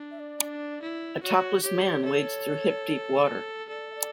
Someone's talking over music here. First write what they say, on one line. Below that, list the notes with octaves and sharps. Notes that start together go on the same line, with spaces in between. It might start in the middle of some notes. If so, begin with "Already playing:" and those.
A topless man wades through hip deep water.
Already playing: D4
E5
D5
D4
E4
F#4 C#5
G4 C#5
A4
A4 D5
E5
D5